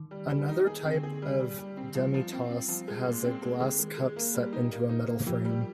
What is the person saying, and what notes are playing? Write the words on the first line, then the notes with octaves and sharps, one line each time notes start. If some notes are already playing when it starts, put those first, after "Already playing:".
Another type of demitasse has a glass cup set into a metal frame.
Already playing: D#3
G3
G3
D#4
G#4
D3 C4
G#4
G3
G3
G3
C4
F3 G3
F3
C4
C4
F3
G#3
A#2
C4
G#3
D#3 G#3
G#3
G#3
A#3
G3
D#4
A#3
D#4
A#3
F3 G4
G3